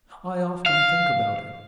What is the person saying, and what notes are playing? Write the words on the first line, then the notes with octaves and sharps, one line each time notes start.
I often think about it.
F5